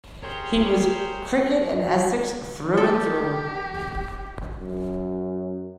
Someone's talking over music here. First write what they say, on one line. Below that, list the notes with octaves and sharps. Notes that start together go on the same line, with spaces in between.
He was cricket and Essex, through and through..
G4 G#4 A#4 C5 C#5 F#5
G4 A4
F#2